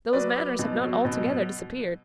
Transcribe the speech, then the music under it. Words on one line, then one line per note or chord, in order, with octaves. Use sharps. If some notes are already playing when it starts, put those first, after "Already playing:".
Those manners have not altogether disappeared.
F#3 B4 D5
F#3
B2
F#3
B2